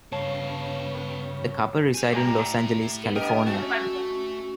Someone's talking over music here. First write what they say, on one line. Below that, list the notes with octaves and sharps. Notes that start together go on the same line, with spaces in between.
The couple reside in Los Angeles, California.
G2 C#3 B3 C#5 F5 A5 E7
C5 G#5
A2 G4 D5 A#5
D4 G4 A#4 D#5 G5
A3 C#4 F#4 A5